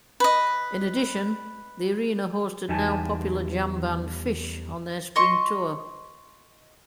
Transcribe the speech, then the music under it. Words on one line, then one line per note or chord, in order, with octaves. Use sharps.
In addition, the arena hosted now popular jam band Phish on their spring tour.
B4 D#5
E2 G3 D#4 G4 G#5 A5
D#5 C6 C#6